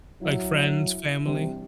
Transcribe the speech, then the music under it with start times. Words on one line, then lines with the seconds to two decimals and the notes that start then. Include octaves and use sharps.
Like, friends, family?
0.21 F#3 E4 E5
1.26 C3 E3 G3 D4